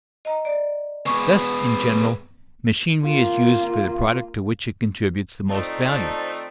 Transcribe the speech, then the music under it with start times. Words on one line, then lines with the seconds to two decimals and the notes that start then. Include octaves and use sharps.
Thus, in general, machinery is used for the product to which it contributes the most value.
0.25 D#5 A#5
0.45 D5
1.06 G#3 B3 C#6 D6
3.05 A#3 F4
5.49 D#3 F3 A3 C4 D4 D#4